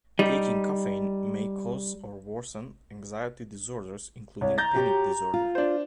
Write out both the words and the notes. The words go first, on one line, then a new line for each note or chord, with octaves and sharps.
Taking caffeine may cause or worsen anxiety disorders, including panic disorder.
G3 D#4
C2 C#5
A#5 G6 A6 A#6
F#4 G4 C#5
F4
D4 C5